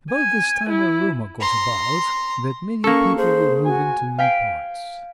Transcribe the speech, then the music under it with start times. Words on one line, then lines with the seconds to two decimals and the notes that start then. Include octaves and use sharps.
About this time a rumor got about that many people were moving to new parts.
0.12 G#5
0.70 E4
1.40 A#5 C6
2.84 A#3 C#4 A4 C#6
3.18 G#4 C5
3.66 F#4 G#5
4.18 F5 G5 G#5 B6 C7 D7